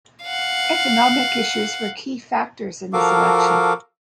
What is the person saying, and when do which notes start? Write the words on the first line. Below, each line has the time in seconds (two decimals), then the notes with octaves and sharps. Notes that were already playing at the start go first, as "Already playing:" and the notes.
Economic issues were key factors in this election.
0.24 F5 F#5
2.93 F3 F#4 A4 A#4 F5 D6